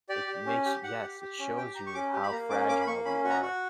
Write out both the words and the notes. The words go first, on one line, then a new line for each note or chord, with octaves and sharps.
It makes Yes, it shows you how fragile we are
G4 D5
G4
C#4
G4
G4 F#5
G4
G4
C#4
G4 G5
G4 A#5
C#6
C#4 D6
G4
B5
A#3 A#5
C#4 D6
A#3 D6
B5
A#3 C#6
C#4 B5
F#4
A#5
F#4